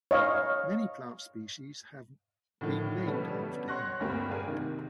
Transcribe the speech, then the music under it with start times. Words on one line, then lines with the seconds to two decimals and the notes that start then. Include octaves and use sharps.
Many plant species have been named after him.
0.11 C#5 D#5 F5
2.61 A2 D3 D#3 F3
3.06 B2 D3 G3 B3 C#4 A4
3.68 C#5 F#5 C6 C#6 F#6 A#6
4.00 D2 G2 A#3 C4 G4
4.31 G#4 A#4 D5 F5 G#5
4.48 C3 D#3